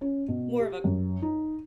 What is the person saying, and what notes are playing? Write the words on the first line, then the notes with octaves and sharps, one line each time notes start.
more of a
C#4
B2
G4
F#2
D#4